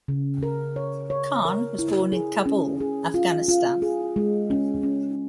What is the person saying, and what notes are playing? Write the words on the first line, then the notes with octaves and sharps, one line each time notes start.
Khan was born in Kabul, Afghanistan.
C#3
A#4
C#5
C#5
A#4
E4
G#4
C#4
G#4
F4
F4
G#4
G#3
C#4
C#4